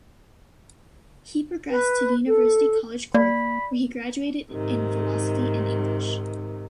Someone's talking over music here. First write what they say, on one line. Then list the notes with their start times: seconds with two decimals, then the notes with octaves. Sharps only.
He progressed to University College Cork where he graduated in Philosophy and English.
1.70 B4
2.27 A4
3.14 A#3 D5 B5
4.51 G#2 C3 D#3